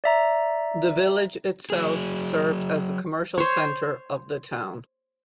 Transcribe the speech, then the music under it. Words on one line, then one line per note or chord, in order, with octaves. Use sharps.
The village itself served as the commercial center of the town.
D5 E5 A#5
F#3 G#4
C5 C#5